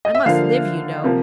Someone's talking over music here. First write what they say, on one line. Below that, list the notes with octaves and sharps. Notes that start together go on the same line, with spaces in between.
I must live, you know!
D#5
E5
D3 F3 A#3 F5
C3 F3 A#3